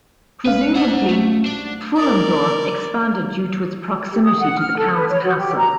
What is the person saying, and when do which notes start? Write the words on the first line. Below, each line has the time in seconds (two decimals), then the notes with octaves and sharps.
Presumably, Pfullendorf expanded due to its proximity to the counts' castle.
0.46 C2 C#4 B4 F5
0.75 C5 F#5
1.09 A3
1.46 D4
1.96 A#4 D5
4.12 G4
4.24 D#6
4.39 F#5
4.58 F6
4.77 A4
4.94 B4
5.09 C#5
5.24 F#4
5.37 G4
5.56 A#5